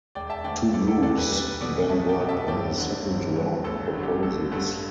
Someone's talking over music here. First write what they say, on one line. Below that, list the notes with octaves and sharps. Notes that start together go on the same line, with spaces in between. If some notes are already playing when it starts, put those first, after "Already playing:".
Two groups then worked on a second round proposals.
E1 D5 G5
E5 A5
D2 D3 D5 G5
E1 A4 D5
A4 D5
D2 D3 A4 D5
G4 B4
B1 G4 B4
B2 A4 D5
B1 E5 A5
D5 G5
B2
E5 A5
G1 D5 G5
G2 D3
G1
G2 D3
A1 A4
G2 D3
G4
A1 A4
G2 D3 A4